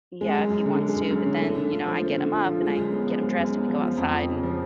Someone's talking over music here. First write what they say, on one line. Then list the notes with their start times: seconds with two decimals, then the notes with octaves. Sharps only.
Yeah, if he wants to, but then, you know, I get him up, and I get him dressed and we go outside and
0.21 G#3
0.36 F#2
0.50 F#2
0.66 D3
0.81 G#3
0.95 F#2
1.10 F#2
1.26 D3
1.42 A3
1.56 D3
1.71 F4
1.86 F3
2.02 A3
2.17 D3
2.32 F4
2.47 F3
2.61 G#3
2.77 F#2
2.92 B3
3.07 F3
3.22 G#3
3.37 F#2
3.52 B3
3.68 F3
3.83 F3
3.97 F2
4.13 F2
4.28 C#3
4.43 F3